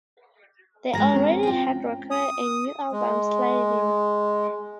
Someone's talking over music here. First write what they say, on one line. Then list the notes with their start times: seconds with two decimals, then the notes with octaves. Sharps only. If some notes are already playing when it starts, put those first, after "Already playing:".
They already had recorded a new album "Slide It In".
0.93 G#3 G#4 A#4 A#5 A#6
1.15 C4 C#4
1.43 F4 G5
2.11 D#6
2.92 G#3